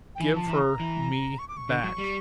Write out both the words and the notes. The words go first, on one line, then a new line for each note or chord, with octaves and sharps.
"Give her me back."
G5
E3 G#5
F3 A5
E3 A#5
E3
C#6
D6
C#6
D3
F#3
G3